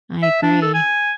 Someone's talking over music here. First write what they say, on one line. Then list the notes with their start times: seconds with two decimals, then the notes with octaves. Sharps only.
I agree.
0.23 E5
0.43 D4
0.62 A4
0.74 G#5